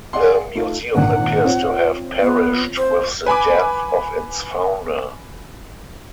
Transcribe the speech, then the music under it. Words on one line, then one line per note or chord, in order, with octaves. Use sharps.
The museum appears to have perished with the death of its founder.
G#4 D5 F5 F#5 C6
A3 D#4 F4
G#1 A#2 D4 F#5
C4 F4 C#5
B3
C5
B4 G#5 B5 D6